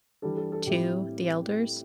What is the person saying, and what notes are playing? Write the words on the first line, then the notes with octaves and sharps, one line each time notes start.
to the elders.
E3 G3 D4 A4
A4
A4
A2 G3 C4 E4 G4